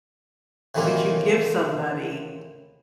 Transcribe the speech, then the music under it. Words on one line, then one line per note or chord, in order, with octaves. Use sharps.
would you give somebody
A2 C3 D#3 E3 G#3 A#3